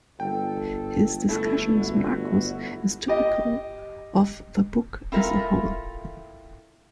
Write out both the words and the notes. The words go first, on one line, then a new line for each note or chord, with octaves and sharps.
His discussion with Marcus is typical of the book as a whole.
G1 A4 G5
A3 E4 A4
F#4
G4 D#5
C4 E4 F4 A4 A#4 E5